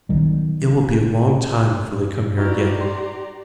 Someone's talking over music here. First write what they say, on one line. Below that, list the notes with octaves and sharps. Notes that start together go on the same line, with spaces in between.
It will be a long time before they come here again.
B1 D#3 G3
D#4 E4 F#4 G4 D5 A#5
C6